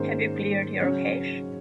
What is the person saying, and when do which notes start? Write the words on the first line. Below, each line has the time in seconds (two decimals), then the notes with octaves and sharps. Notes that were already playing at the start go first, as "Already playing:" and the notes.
Have you cleared your cache?
Already playing: G#2 D#3 A#3 C#4 C5
0.80 C#3 F#3 C#4 C#5